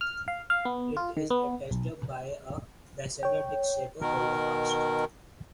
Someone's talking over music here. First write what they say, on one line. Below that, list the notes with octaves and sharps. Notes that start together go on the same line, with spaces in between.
It is attached by a basal disc-shaped holdfast.
F6
F5
F5
B3
F4
D#3
B3
B1
C#5 G5
B2 D#3 A#4